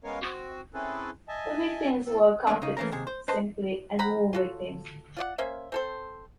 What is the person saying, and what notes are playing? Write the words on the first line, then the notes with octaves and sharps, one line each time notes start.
The victims were counted simply as war victims.
G#3 B3 C#4 A#4 C#5 F5
C4 F#4
C4 C#4 E4 G#4 A4 B4
D#5 E5 G#5 A5
A2 C4 A4
D#2 G#3 A#3 B3 D4
C#3 D#4
E3 A3 A#3 C#4 A#4
D#2 C3 G#4
C5
B4 C5 D#5 A5 C6
C4 F#5 A#5 B5
F4 F#4 A4
F4 D5 F#5
A#3 C#4 C5 E5
C4 A4 C5